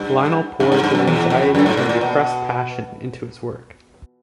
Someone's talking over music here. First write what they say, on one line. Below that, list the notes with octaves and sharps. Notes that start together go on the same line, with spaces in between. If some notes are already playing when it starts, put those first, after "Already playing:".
Lionel pours his anxiety and repressed passion into his work.
Already playing: G2
G2
G#2
G2
F#2
E2
F2
F#2
G#2
A2
A#2
B2